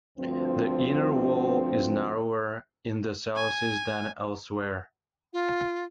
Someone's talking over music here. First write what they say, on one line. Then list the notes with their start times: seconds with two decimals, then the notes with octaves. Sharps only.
The inner wall is narrower in the southeast than elsewhere.
0.18 D2 G2 F3 C4
3.36 G#5
5.33 F4